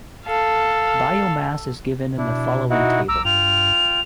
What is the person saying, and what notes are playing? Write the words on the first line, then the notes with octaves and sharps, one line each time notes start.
Biomass is given in the following table.
A4 F5
B2 D4 E4
D#4 E4 F#4
B1 A#5 D6 E6
G2 F4 G5 F7